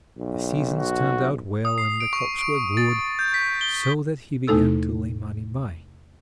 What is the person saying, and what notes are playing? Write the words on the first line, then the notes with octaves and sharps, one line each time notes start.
The seasons turned out well and the crops were good, so that he began to lay money by.
B1
F#4
D#6
C7
D7
C#6
D7
A6
G6
B6
G7
E2 C3 A3 D#4 A4 E6